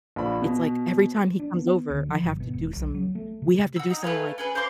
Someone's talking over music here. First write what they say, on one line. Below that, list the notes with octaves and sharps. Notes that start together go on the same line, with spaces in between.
it's, like, every time he comes over, I have to do some we have to do some, like,
A#1 B5
B2
D4
B3
D2
F3
G1
B2
E1
B1
F#3
A3
C3
F#4 E6
D#4
A3 B4 F5 G#5
C#4 G#4 B4
C5 F5 C6 D6